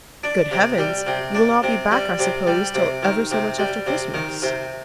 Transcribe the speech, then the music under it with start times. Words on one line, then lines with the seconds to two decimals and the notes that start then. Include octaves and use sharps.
"Good heavens! you will not be back, I suppose, till ever so much after Christmas?"
0.23 D4
0.51 C3
0.78 G3
1.07 C3
1.35 D4
1.63 C3
1.91 G3
2.19 C3
2.47 G3
2.74 C3
3.03 D#3
3.31 C3
3.58 G3
3.86 C3
4.14 D#3
4.42 C3